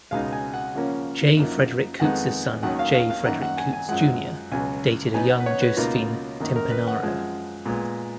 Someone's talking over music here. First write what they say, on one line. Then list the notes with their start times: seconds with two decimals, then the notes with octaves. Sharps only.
J. Frederick Coots' son, J. Frederick Coots Junior dated a young Josephine Timpenaro.
0.11 C#2 B2 G#3 D#4 F5
0.32 G#5
0.53 F#5
0.75 C#3 F3 A#3 C#4
1.37 F#2 F3 A#3 D#4
2.00 F2 D#3 G#3 B3 D#4 F#5
2.63 D#2 D#3 F#3 C#4 F#5
2.79 F5
2.94 F5
3.10 F5
3.25 F#2 D#3 A#3 D#4 F#5
3.42 F#5
3.57 G#5
3.73 G#5
3.89 F#2 F3 G#3 F#5
4.52 C#2 B2 F#3 G#5
5.14 B2 F#3 B3 D#4 G#5
5.30 F#5
5.40 B4
5.46 C#5
5.61 B4
5.77 C#2 B2 A#3 D#4 F4
6.40 F#2 D#3 A#3 D#4
6.56 A#4
6.71 B4
6.87 F#5
7.03 F#2 F3 G#3
7.66 A#2 G#3 B3